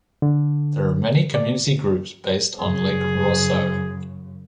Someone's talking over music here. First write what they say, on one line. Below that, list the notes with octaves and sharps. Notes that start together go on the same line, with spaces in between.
There are many community groups based on Lake Rosseau.
D3
D5
F#2 C#3 G#4